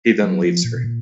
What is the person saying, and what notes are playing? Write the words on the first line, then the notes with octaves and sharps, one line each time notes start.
He then leaves her.
F#3
F3
A#2
B2
A#2